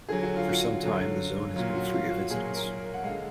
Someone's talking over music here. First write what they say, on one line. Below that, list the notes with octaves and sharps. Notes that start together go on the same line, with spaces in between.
For some time the zone has been free of incidents.
D3 F#3 G#4
F#4
F4
F#4
D3 F#3
A#2 F#3 F4
F#4
F4
F#4
A#2 F#3 G#4
A#4
F#5
D3 G#3 F5